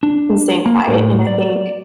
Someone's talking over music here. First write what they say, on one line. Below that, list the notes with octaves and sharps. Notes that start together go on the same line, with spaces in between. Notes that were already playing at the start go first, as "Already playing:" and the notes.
and staying quiet, and I think,
D4
A#3
A2
D5